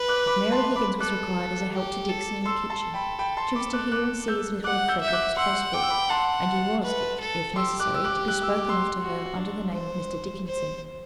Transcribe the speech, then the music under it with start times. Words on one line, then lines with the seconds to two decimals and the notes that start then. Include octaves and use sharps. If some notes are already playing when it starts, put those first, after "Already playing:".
If Mary Higgins was required as a help to Dixon in the kitchen she was to hear and see as little of Frederick as possible; and he was, if necessary to be spoken of to her under the name of Mr. Dickinson.
Already playing: B4
0.08 D6 F#6
0.27 B5 D6
0.52 A5 C6
0.76 B5 D6
1.00 A4 D6 F#6
1.73 G4
2.09 A4
2.45 A4 C6 E6
2.70 A5 C6
2.94 G5 B5
3.19 G5 B5
3.37 A5 C6
3.55 B5 D6
3.73 D6 F#6
3.92 D6 F#6
4.28 E6 G6
4.64 F#5 D6 F#6
4.88 E6 G6
5.01 E5
5.08 G6
5.13 D6 F#6
5.37 F#5 C6 E6
5.74 G5 D6
5.82 E6
5.90 B5 D6
6.09 F#5 A5 C6
6.83 B4
7.20 A4
7.56 G4 C6 E6
7.80 D6 F#6
7.94 E6
8.04 D6 F#6
8.28 F#6
8.42 E6
8.56 D6
8.69 C6 E6
9.02 F#4
9.37 D4
9.74 C5
10.47 C5